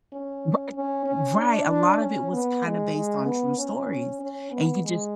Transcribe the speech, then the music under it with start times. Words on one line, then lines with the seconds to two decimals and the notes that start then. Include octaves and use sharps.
Righ Right, a lot of it was kind of based on true stories and you could just
0.13 C#4
0.76 C#4
1.07 C#4
1.38 D4
1.70 D4
2.01 C#4
2.33 B3
2.64 G#3
2.95 G#3
3.26 B3
3.58 C#4
3.90 C#4
4.21 C#4
4.52 B3
4.84 G#3